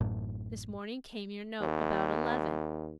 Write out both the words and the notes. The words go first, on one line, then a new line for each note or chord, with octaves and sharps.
This morning came your note, about eleven.
A1 F#2 A2
D#2